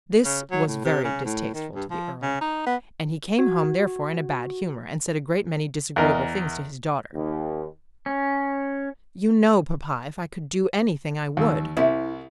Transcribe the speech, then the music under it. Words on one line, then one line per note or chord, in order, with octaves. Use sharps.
This was very distasteful to the Earl, and he came home therefore in a bad humour, and said a great many disagreeable things to his daughter. "You know, papa, if I could do anything I would."
C#3
F#3
A2
C3
C#3
A2
D#3
G2
F3
C#3
D#4
B3
F#4
E2 A#4 D#5
D#2
C#4
D#2 E6
C2 E4